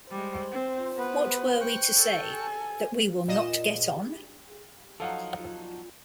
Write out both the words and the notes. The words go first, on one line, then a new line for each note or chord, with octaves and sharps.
What were we to say, that we will not get on?
G3 G#3 C5
C4
B3 B4
G5 C#6 F#6
A4
G#5
A#2 D#5 E7
F3 F#3 D#4 A4 F5 F#5